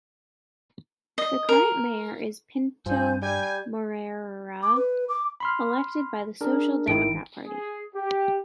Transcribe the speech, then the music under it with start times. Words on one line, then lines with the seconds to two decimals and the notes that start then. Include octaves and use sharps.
The current Mayor is Pinto Moreira, elected by the Social Democrat Party.
1.18 D#5
1.49 A#4
2.86 G2 F3 G#5 G6
3.22 G3 G#5 G6
4.63 D6
4.76 B4
5.09 D6
5.40 B5 C6 F6
6.41 D4 G#4 A#4
6.88 G#1 D#3 E4 D7
7.46 G#4
7.95 G4